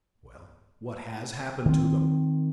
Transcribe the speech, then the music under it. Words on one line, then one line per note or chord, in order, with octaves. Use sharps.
"Well, what has happened to them?"
D#3 C4